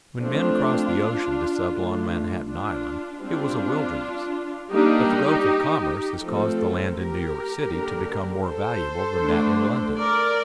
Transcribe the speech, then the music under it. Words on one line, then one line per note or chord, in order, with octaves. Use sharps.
When men crossed the ocean to settle on Manhattan Island, it was a wilderness; but the growth of commerce has caused the land in New York city to become more valuable than that in London.
F3 A3 C4 D4 F4
D3 A3 D4
D4 F4
G3 C4 D4 F4
G3 A#3 D4 D#4 G4
F3 A3 C4 F4 A4
G4 A#4
D3 G3 A#3 D4
A4 C5
D3 A3 D4
A#4 D5